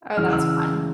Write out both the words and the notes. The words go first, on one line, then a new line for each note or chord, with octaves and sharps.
Oh, that's fun.
C#3 E3 F6
E6